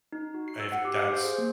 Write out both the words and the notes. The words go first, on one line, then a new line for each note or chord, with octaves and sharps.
If that's
D#4
F#4
C7
E6
F#5
G4
F5
C5
G#4
A#3